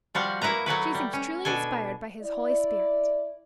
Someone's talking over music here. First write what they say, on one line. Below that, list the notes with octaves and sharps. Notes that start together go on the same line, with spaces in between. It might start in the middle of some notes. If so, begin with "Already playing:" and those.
She seems truly inspired by His Holy Spirit.
F3 G3 F#4 F5
A#3 E4 F#4 B4 A#5
F#3 A3 F#4 B4
G3
C#4
B2 D4 A4 G#5
E4 D5